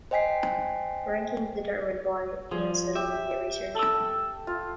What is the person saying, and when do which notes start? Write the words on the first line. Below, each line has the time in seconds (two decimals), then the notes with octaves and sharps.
"Rankings determined by Nielsen Media Research".
0.11 C5 D#5 G5 G#5 B6 C7
2.51 F3 G#4
2.95 G4 E5
3.75 A4 E6
4.47 F4